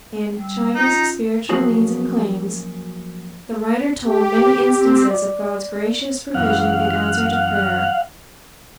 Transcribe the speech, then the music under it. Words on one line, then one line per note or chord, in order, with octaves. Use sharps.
In "China's Spiritual Needs and Claims" the writer told many instances of God's gracious provision in answer to prayer.
G3 E6
C#4 D#4 F4 A#5
F3 F#3 A#3 C#4 F#4 G#4
G4
C4
D5
F#2 E3 F5 F#5